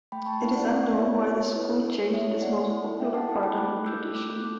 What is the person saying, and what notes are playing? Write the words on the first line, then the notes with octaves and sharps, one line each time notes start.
It is unknown why the school changed this most popular part of the tradition.
A3 G5 B5
A5 C#6
E4 G4
D5 F#5
A3 D5 F#5
E4 G4 C#5 E5
B3 C#5
E4 A4 B4
B3 C#5
E4 A4 C#5 E5
B3 D5 F#5
E4 A4
B3 E5 G5
F#5 A5
E4 A4 F#5 A5
G5 B5
A3 D6 F#6
E4 A4 E6 G6
A3 D6 F#6
A4 D6 F#6